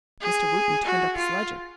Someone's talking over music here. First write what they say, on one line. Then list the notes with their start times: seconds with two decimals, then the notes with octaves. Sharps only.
Mr. Wootten turned up his ledger.
0.21 G#4
0.85 F#4
1.17 F4